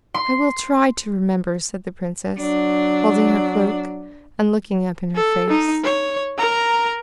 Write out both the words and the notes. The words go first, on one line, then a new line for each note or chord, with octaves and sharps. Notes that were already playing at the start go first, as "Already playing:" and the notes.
"I will try to remember," said the princess, holding her cloak, and looking up in her face.
C6
F#3 D4
A4
D#4
C#5
A#4 A#5